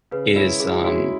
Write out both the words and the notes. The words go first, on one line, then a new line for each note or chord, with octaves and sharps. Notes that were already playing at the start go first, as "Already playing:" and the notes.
is, um,
C#3 B4
G#3 C#4 E4
C#3 G#4
G#4
G#3 C#4 E4 F#4
F#4